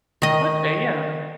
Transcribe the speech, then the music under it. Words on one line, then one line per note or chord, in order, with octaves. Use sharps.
Okay. Yeah.
D#3 D#5